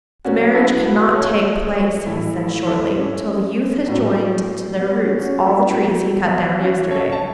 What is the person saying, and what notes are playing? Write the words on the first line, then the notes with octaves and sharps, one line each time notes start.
'The marriage cannot take place,' he said shortly, 'till the youth has joined to their roots all the trees he cut down yesterday.'
B2 F#3 C#4 F#4
E4 A4
A4
F#4 B4
A4 C#5
A2 E3 E4 A4
E4 A4
E4 A4
C#4
A2 F#3
B3
C#4
C#4 F#4
E4 A4
B2 F#3
C#4 F#4
A4 C#5
A5